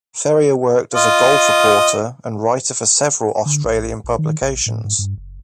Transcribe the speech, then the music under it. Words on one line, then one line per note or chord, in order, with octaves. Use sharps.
Ferrier worked as a golf reporter and writer for several Australian publications.
F4 D#5
D3
A#1
A#1
D#3
A1
A2
G#2
G2
F#1